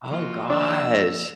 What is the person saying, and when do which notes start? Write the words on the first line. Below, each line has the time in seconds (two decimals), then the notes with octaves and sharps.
Oh gosh.
0.11 F3 A#3 F4 F#4 D#5
0.50 D4 D5 E6